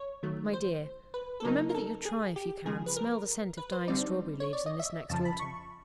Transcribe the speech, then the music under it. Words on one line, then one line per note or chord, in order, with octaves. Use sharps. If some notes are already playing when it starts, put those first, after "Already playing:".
My dear, remember that you try if you can smell the scent of dying strawberry-leaves in this next autumn.
Already playing: C#5
D#3 F#3 A3
C5
B4
A4
C#3 F#3 A#3 D#4 A#4
A#4
A4
G#4
G4
C#3 F3 G#3 G#4
B4
A#4
B4
C5
D3 G3 C4 D#4 D5
C#5
D5
D#5
E5
F2 C#3 F3 A5
B5
C#6